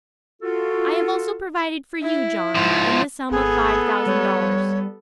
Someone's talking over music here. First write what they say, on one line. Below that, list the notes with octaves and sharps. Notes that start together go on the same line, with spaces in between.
"I have also provided for you, John, in the sum of five thousand dollars."
F4 F#4 A4
E4
G#2 F3
G#1 B3 G#4 A4
G3 C#5